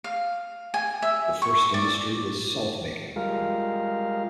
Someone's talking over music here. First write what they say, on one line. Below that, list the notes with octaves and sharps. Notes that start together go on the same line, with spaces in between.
The first industry was salt-making.
F5
G#5
E5
C#6
D5
G3 G#3 F4 A#4 F5